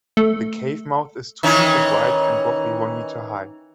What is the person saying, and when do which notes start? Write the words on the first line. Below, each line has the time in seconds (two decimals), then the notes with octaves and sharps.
The cave mouth is two metres wide and roughly one metre high.
0.17 A3
1.43 D#3 E3 C#4